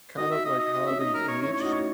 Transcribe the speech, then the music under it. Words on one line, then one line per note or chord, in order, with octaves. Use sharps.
kind of like how they've aged,
D#4 F#4 D#5
E5
D#5
D#5
D#5
C#4 E5
D#4 D#5
A#4
C#5
C#4 E4 C#5
C#5
D#4 F#4 D#5
C#5